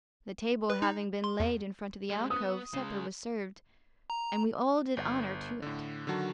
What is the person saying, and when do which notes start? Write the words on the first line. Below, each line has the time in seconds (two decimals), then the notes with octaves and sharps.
The table having been laid in front of the alcove, supper was served, and we all did honour to it.
0.70 B4
0.82 D#4
1.24 C6
1.40 E2
2.10 G3 G#3
2.30 B3 D#6
2.74 C#3 G#3
4.10 A#5
4.97 G1
5.62 A2 D3
6.07 D3 D#3 F#3 F#4 A5